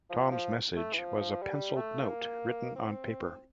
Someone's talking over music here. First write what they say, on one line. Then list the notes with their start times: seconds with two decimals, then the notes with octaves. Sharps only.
Thom's message was a "penciled note" written on paper.
0.10 F3
0.32 F3
0.76 A3
0.93 E3
0.98 F3
1.20 F3
1.42 G3
1.76 A3
2.08 A#3
2.76 C4